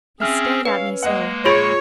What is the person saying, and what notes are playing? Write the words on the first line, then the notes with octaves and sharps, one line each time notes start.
He stared at me so.
C4 C#4 G#4 E5 F6
C#4 B4 F5
G#3 A#3 D#5 F#5
A#1 F4 G#4 C#5 B5